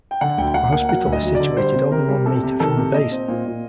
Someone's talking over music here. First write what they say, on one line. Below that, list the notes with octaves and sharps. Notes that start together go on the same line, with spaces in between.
A hospital is situated only one metre from the basin.
G5
D3 F#5
D2 G5
D2 F#5
A#3 F#5
F#3 F#5
D2
D#5
F#3
D3 D5
G3 C5
C3
C3 A#4
G3
C3 A4
C3
D#3 A4
C3
A#2 D#5
C4
A#2
A#2